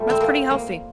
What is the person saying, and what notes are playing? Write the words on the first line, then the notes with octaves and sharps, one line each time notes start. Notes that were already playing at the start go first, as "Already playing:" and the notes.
that's pretty healthy.
Already playing: A#2 G3 A3
C4
A#3
A#3